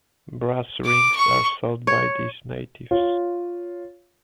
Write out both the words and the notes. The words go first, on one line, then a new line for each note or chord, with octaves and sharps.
Brass rings are sold by these natives.
D6
C#6
C#5
F4 C#5